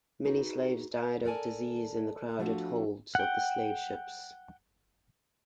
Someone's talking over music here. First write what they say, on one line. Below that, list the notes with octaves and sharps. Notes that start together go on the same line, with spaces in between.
Many slaves died of disease in the crowded holds of the slave ships.
D#4 F#4 G#4 B4
A4 A#4 D5 G#5 A5
F3 A3 D4 F4 F#4
F#5 G5